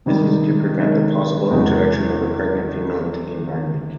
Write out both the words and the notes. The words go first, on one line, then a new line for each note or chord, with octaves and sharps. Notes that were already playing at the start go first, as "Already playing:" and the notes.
This is to prevent the possible introduction of a pregnant female into the environment.
C3 D#3 G3
C3 D#3 G#3
E2 C3 E3 G#3 C4